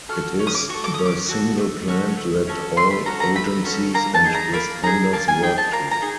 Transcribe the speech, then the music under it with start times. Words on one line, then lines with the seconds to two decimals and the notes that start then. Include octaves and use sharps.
It is the single plan that all agencies and responders work to.
0.09 F#4 A4 F6
0.39 C#4
0.47 D#6
0.55 D6
0.69 F#4 A4 C#6
0.84 D6
0.94 C#4 D#6
1.06 D6
1.29 F#4 A4
1.58 A3
1.88 C#4 F#4 A4
2.17 A3
2.47 C#4 F#4 A4
2.77 A3 C6
2.91 B5
3.06 C#4 F#4 A4 A#5
3.20 A#5
3.35 A3 B5
3.64 C#4 F#4 A4
3.94 A#3 A#5
4.15 A5
4.24 D#4 G#4
4.34 A#5
4.54 A#3 B5
4.83 D#4 G#4 A#5
5.13 A#3 A5
5.28 G#5
5.42 D#4 G#4 G5
5.58 A5
5.72 A#3 A#5
5.91 A#5
6.02 D#4 G#4